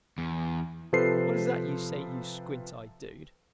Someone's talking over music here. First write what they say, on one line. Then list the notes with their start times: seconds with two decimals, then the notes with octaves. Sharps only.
What is that you say, you squint-eyed dude?
0.18 E2
0.93 C3 F3 A4 B4 C5 C7